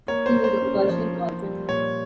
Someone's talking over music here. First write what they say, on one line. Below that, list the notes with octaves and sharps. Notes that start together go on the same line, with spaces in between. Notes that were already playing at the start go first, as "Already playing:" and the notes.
He was of Persian origin.
A#3 C#5
C5
A#3
C5
C#4
F3
A#3
G3
A#2 C#5